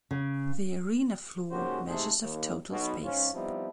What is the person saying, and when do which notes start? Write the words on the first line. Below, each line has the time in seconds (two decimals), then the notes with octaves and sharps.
The arena floor measures of total space.
0.11 C#3
1.51 G#2 C#3 A#3 F#4 G4 C5
1.87 G#2 C3 A3 G#4 A4 C5
2.22 D#2
2.69 B1 B2
3.03 G#2 C#4 F4
3.33 F3 G3 B3 C4 D#4 E4